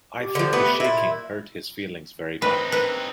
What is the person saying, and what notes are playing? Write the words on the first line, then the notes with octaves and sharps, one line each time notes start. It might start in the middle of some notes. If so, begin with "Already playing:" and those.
I think the shaking hurt his feelings very much.
G4
D3 F3
A3 B3 B4
A#2 E4
C4 D#4 B4
B4